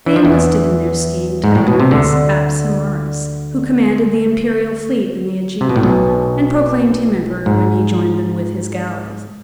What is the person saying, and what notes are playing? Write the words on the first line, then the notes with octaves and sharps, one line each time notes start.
They enlisted in their scheme Tiberius Apsimarus, who commanded the imperial fleet in the Aegean, and proclaimed him emperor when he joined them with his galleys.
E3
F3
E2 E3
G#2
A2
B2
C3
D2 D3
C3
B2
A2
B1 B2
G#2